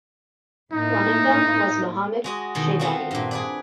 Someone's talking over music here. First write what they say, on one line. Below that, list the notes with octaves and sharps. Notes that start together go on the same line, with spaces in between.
One of them was Muhammad Shaybani.
A2 A#3 D#4 E4
G#3 F#4 D#5
B2 D#3 E3
A3 B3 C4 F4 F#4
G2 A#2
G#4 B4 D5